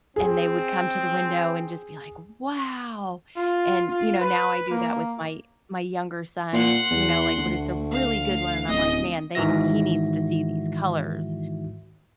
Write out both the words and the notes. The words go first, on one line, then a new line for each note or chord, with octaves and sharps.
and they would come to the window and just be like, "Wow!" and, you know, now I do that with my my younger son, you know, like, when it's a really good one and I'm like, "Man, they he needs to see these colors."
C4 G#4
F4
F4
B4
A#3
A#2 F#5 C6
E2
D2 A3
F5
D1 C#4 D#5
G#2 D#3 E3 F#4 E5 A#6